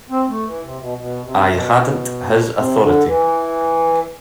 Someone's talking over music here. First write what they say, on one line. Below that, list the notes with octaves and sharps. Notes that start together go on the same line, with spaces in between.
I hadn't his authority.
C4
A3
E3
C3
B2
B2
C3
B2
C3
D3
E3